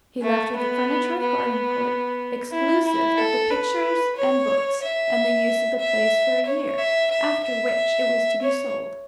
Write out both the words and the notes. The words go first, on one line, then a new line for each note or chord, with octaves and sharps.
He left her the furniture of Gardencourt, exclusive of the pictures and books and the use of the place for a year; after which it was to be sold.
A3
B3
B3
E4
E4
A4
B4
C#5
E5
E5
C#5
E5
E5
E5
C#5